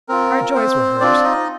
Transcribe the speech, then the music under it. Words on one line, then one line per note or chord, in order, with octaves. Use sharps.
Our joys were hers.
C4 F4 A#4
C4 C5
C4 D4 F4 D5
D#4 D#5